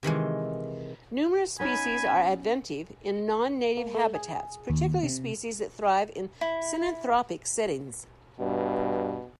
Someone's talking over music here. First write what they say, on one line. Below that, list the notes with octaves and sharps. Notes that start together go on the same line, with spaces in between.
Numerous species are adventive in non-native habitats, particularly species that thrive in synanthropic settings.
C3 D#3 E3 G#3
B3 C#4 D#4 G#5 B5
A#3
A3
G#4
D#2
C3
E4
G2 B2